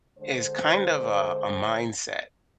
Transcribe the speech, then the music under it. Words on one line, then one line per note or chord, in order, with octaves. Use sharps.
is kind of, uh, a mindset.
D3 G#3 C5